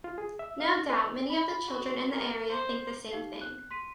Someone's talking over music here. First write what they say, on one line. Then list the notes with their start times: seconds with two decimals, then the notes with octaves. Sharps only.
No doubt many of the children in the area think the same thing.
0.04 F4
0.18 G#4
0.39 E5
0.60 F5
0.90 B4
1.29 B5
1.65 F#4
2.10 A#4
2.49 C5
3.10 D#4 G4 F5 C7 G7
3.41 F#6
3.71 C6 B6 D#7